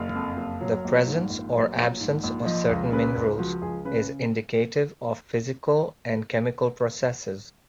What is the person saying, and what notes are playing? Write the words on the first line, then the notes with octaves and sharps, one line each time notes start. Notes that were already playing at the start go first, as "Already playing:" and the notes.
The presence or absence of certain minerals is indicative of physical and chemical processes.
Already playing: F#1 F5
F2
F#1
F#3
A#1
G#2
A#1
F#3
A#1
G#2
A#1
F3 D#5
C#2
C#3 B4
C#2
F3 F#4
C#2 G#4
C#3 B4